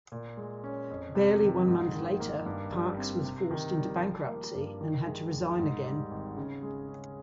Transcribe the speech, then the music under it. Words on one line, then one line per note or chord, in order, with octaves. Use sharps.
Barely one month later Parkes was forced into bankruptcy and had to resign again.
A#2
G#3
C#4
F2
C3
D#3
G#2
D#3
A#3
G2
G3
C4
C3
D#3
G3
F3
A#3
G2
D#3
G#3
D#2
G#2
G3
G#1
C#3
G#3
C#4